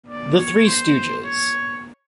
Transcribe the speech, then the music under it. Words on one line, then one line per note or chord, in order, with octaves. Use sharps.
The Three Stooges.
D5
C#5
C5
C#5